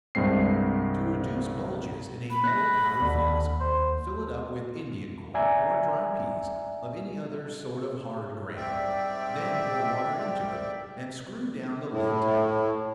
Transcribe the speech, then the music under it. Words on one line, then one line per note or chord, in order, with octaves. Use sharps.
To reduce bulges in a metal powder-flask, fill it up with Indian corn, or dry peas, of any other sort of hard grain; then pour water into it, and screw down the lid tightly.
C2 G2 G#3 C4 C7
B5
F#6 A#6
D#2 D3
C5
D5 E5 G#5 A#5
G#2 G3 C4 D5 E5 G5
A2